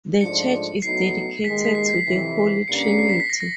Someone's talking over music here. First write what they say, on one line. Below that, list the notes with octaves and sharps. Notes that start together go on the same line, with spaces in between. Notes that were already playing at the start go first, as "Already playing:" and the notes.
The church is dedicated to the Holy Trinity.
G#2 F3 A3 D4 F4 C#7
A2 F#3 B3 D#4 C7
D#2 D#3 G#3 B6
B6
C7
C7
F2 C3 E3
G2 D3 G3 A#3 C#4 C#7
C#7
C7
C7
B6
B6
A#6
A#6